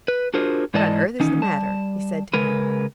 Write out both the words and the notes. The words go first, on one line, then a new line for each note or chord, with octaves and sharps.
'What on earth is the matter?' he said to me.
B4
D4 F4 F#4 G#4 A#4 C5
G#2 E3 G#3 D5 D#5 A5
D#3 E3 C#4 D#4
G3 A5
C#3 G#3 A#4 B4